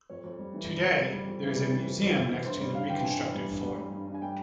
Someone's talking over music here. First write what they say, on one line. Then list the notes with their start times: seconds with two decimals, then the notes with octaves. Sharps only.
Today, there is a museum next to the reconstructed fort.
0.10 F2 C#5
0.24 F2
0.39 G3
0.54 E3
0.68 G3
0.83 F2
0.98 F2
1.12 G3
1.28 F2
1.42 E3
1.57 G3
1.72 E3
1.86 F2
2.02 F2
2.16 F2
2.31 E3
2.46 G2 C5
2.60 G3 C#5
2.75 G2 F5
2.89 E3 G5
3.04 G2 G#5
3.19 E3
3.34 G3
3.48 G2
3.64 G3
3.78 G3
3.93 G2
4.08 G2
4.14 G#5
4.22 G3 G5